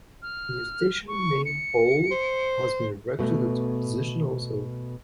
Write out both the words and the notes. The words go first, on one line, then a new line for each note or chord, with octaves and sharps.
A new station name pole has been erected at the position also.
F6
C#6
C#7
C5
B2 A3